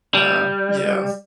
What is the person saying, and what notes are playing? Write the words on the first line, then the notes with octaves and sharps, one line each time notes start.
Uh, yeah.
G3